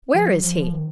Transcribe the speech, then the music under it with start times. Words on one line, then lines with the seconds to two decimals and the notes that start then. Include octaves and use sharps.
"Where is he?"
0.14 F3
0.28 F#3
0.43 F3
0.57 F3
0.72 D#3